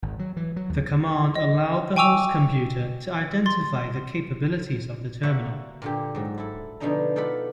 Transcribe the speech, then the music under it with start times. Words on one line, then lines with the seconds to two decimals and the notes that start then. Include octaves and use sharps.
The command allowed the host computer to identify the capabilities of the terminal.
0.02 G#1
0.19 F#3
0.37 E3
0.56 F#3
0.70 D#2
1.35 D#5
1.96 G5 G#5 C#6 D6 E6 F7
3.46 C6 A6
5.23 A#3 F#4 C#5 E5 F#5
5.82 A#2 D3 G4
6.15 G#2 F#3
6.38 E4 A4
6.80 B2 D3 F3 D4 D#4 A#5
7.16 D#4 F4 A4 D5 F#5 B5